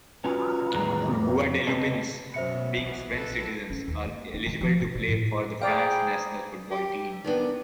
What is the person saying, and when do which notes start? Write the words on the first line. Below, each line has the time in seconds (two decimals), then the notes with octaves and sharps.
Guadeloupeans, being French citizens, are eligible to play for the France national football team.
0.25 C#4 F4 F#4
0.74 E2 A2 D#3 G3 G#3 A#5
1.11 F2
1.67 C#3 G#3 C4 B4 D#5 A5
2.34 F#2 B2 B3 C5 E5 C#7
2.77 B1 E3 B3
3.14 A#1 A4 B4
3.70 C#4
3.88 D#2
4.05 A#3
4.34 D#4
4.46 D#3
4.61 F3
4.80 C#3
4.95 D3
5.08 A2
5.62 G#4 C5 D5 F5 G5 A#5 B5
6.71 G4
7.24 D#3 E3 B3 D4